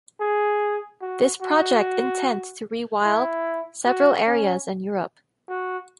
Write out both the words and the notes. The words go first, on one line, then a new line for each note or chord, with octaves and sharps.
This project intents to rewild several areas in Europe.
G#4
F#4
F#4
E4
F#4
C#4
F#4